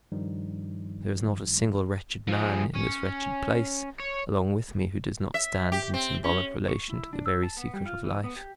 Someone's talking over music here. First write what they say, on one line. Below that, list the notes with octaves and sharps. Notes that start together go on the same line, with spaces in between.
There is not a single wretched man in this wretched place along with me who does not stand in symbolic relation to the very secret of life.
G2 D#3 F3 G3 D#4
F3 G#4
C#4
C#5
E5
G4
C4
C#4
C#6
E4
D4
E6
A5
B3
G3
F4
E3
B3
G4